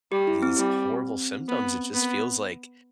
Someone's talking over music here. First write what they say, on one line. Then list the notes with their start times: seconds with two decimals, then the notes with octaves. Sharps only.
these horrible symptoms, it just feels like,
0.12 G3 G4
0.27 E4
0.43 C4
0.57 G3 C4
1.48 B3
1.94 B3